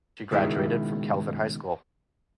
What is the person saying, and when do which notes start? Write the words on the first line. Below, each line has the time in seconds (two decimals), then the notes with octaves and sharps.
She graduated from Kelvin High School.
0.31 C#2 B2 D#3 G#3 E4